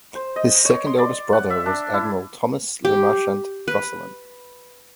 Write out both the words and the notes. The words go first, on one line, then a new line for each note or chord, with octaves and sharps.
His second eldest brother was Admiral Thomas Le Marchant Gosselin.
C5
D#5
C#5
C6
D5
F#5
E5
D4
E4
G4
B4